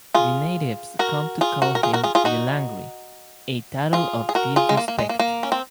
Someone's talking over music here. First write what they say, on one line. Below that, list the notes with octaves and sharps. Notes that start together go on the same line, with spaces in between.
The natives come to call him the "Langri", a title of deep respect.
F4 G#4
F#4 A#4
F4 G#4
F#4 A#4
A#4
F4 G#4
F#4 A#4
F4 G#4
F4 G#4
D#4 F#4
F4 G#4
G#4
F#4 A#4
F4 G#4
G#3
A#3
A#3
G#3
A#3
A#3
C#4
C4